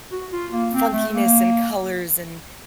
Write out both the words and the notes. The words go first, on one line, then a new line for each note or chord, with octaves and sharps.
funkiness and colors, and
F#4
F4
A#3
C4
A3
A#3